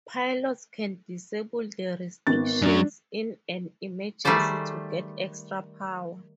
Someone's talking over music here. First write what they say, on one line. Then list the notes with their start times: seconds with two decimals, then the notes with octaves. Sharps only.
Pilots can disable the restrictions in an emergency to get extra power.
2.27 G#1 B3 A6
2.62 F#2 F#3 D4
4.25 D#3 G3 A3 G#4 C5 D5